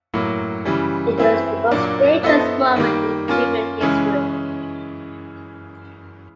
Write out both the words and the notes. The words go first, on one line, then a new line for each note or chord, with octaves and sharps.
It was the most dangerous moment in human history.
A2 F#3 A#3
C#3 E3 G3
C4 E4 G#4 B4
A#2 F#3 A#3 D4
B3 E4 A4 C5 D#5
D#3 G3 A#3
A#3 C#4 F4
C#3 E3 G#3 C#4